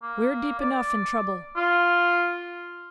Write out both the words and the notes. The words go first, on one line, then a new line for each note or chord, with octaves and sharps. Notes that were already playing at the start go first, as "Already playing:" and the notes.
We're deep enough in trouble.
A#3
D5
F4